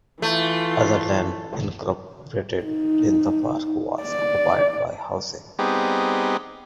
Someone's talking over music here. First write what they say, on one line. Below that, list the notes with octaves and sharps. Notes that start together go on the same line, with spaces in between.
Other land incorporated in the park was occupied by housing.
E3 A3 F4
D#4
D5
G3 B3 C4 D#4 G4 G#4